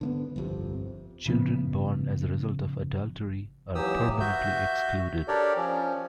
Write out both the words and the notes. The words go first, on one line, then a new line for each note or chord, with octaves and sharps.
Children born as a result of adultery are permanently excluded.
D3 A#3 B3
G1 C2 F2 C3
A2 C#3 F3 B3
D#2 E3 F#3 G4 D#6 E6
F#4 E5 G6
D4 G4 A4 A#4 C#5 D5
F3 C#4